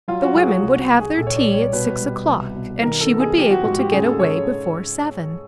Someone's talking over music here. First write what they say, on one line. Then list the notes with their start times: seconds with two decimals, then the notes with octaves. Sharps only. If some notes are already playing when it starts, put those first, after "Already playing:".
The women would have their tea at six o'clock and she would be able to get away before seven.
0.08 F#3 F4
0.22 F#4
0.35 F#3 G#4
0.49 F#4
0.62 C2 F#4
0.90 C2
1.00 G#4
1.18 A#1 A4
1.27 C#5
1.36 D5
1.45 G3
1.54 C#5
1.73 B2 B4
2.01 G3
2.27 C2
2.55 B2
2.82 D#3 A#4
3.01 A4
3.10 B3
3.20 G#4
3.37 F3 G4
3.51 F#4
3.65 G#2 F#4
3.79 G4
3.92 C#3 G#4
4.06 A4
4.19 C#3 C#5